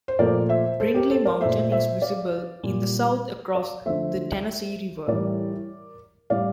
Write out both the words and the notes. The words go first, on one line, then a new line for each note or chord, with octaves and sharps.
Brindley Mountain is visible in the south across the Tennessee River.
C5
A#2 F3 A3 A#4 D5
C5 E5
A4 C5
G4 A#4
A4 C5
A#4 D5
A#2 A3 C5 E5
C5 E5
D5 F5
A#2 G3
D5 F5
D3 F3 A3 C5 E5
A2 E3 G3 A#4 D5
A2 G3 D5 F5